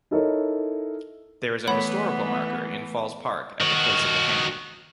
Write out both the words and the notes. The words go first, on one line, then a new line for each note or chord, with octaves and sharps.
There is a historical marker in Falls Park at the place of the hanging.
D#4 E4 A4 A#4 C#5
E3 A3 B3 C#5 F#5 B5
D#3 F#4